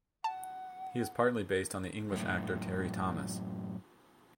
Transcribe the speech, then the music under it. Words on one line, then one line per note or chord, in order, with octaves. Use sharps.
He is partly based on the English actor Terry-Thomas.
F#5 A5
F#2 A2